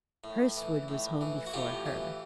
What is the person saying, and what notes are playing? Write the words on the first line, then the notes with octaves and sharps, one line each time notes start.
Hurstwood was home before her.
A2
E3
A2
E3
F#4
A2 F4 G4
E3